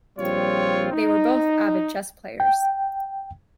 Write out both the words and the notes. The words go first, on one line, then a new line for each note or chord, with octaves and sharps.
They were both avid chess players.
A#1 G3 C4 F4 C#5
D#4
G5